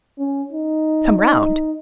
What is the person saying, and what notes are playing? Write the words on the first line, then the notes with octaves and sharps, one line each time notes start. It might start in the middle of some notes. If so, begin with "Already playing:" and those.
"Come round?"
C#4
D#4
D#4